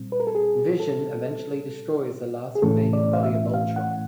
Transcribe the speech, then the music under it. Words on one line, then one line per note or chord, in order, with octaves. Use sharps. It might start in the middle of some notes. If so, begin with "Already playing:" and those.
Vision eventually destroys the last remaining body of Ultron.
Already playing: A#2 G3 C4
B4
A#4
A4
G#4
A4
G#4
A2 E3 A3 C#4 E4 A4
D5
F5
E5
F5
F#5